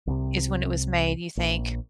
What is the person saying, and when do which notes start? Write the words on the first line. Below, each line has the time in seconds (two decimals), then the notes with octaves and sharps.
i is when it was made, you think?
0.07 C2 C3
1.37 A#1